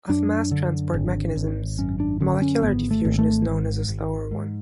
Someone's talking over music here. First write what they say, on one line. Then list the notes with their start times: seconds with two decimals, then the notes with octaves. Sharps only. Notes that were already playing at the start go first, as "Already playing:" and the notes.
Of mass transport mechanisms, molecular diffusion is known as a slower one.
0.09 F#2 D4
0.51 D3
0.94 G#1
1.36 G#1
1.78 F#2 C#4
2.00 D4
2.20 D3 C#4
2.42 C#4
2.62 G#1 B3
2.91 A3
3.05 G#1
3.19 A3
3.47 G#2
3.89 G#1
4.31 G#2